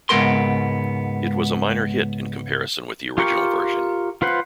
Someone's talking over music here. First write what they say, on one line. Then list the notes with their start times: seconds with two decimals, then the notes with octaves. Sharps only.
It was a minor hit in comparison with the original version.
0.09 C#2 G#2 G#3 B3 A#4 C6
3.18 F4 G4 A#4 C#6
4.22 F4 B4 C5 F#5